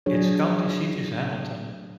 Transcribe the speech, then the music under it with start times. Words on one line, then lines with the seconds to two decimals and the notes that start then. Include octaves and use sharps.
Its county seat is Hamilton.
0.06 F#3 D4 G#4 C#5